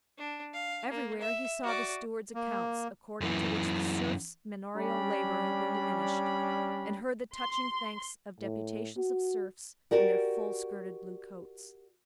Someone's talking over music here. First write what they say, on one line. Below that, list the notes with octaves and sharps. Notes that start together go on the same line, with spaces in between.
Everywhere he saw the stewards' accounts, according to which the serfs' manorial labor had been diminished, and heard the touching thanks of deputations of serfs in their full-skirted blue coats.
D4
F5
A#3
E5
F#4 D5
A#3
F#2 E3
G3 C#4 D4 B5
C6
A2
F#4
F#4 G4 A#4 D5